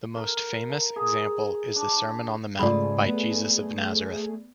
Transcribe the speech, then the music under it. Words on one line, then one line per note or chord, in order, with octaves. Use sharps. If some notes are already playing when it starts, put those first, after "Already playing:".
The most famous example is the Sermon on the Mount by Jesus of Nazareth.
A#4
A#5
G#4
D4
G#2 C#3 A3 F4 G#4 D5 B5
B3